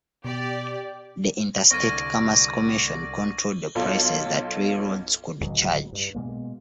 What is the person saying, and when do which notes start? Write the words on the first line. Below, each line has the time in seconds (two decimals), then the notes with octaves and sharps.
The Interstate Commerce Commission controlled the prices that railroads could charge.
0.25 B2 G4 D5
1.71 C2 D3 D5 C#6 F6 G#6 A#6 D#7
3.75 B1 F4 A4 C6
5.41 D1 C#2 F#3 G#3
5.93 G2
6.15 B2 G#3 A#3